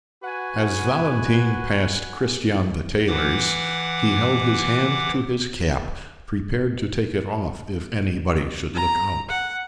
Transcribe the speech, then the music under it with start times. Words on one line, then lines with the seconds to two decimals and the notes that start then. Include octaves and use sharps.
As Valentine passed Christian the tailor's, he held his hand to his cap, prepared to take it off if anybody should look out.
0.23 F#4 B4 F#5 G#5
3.08 E3 F#5 D6
8.75 A#5
9.29 F#5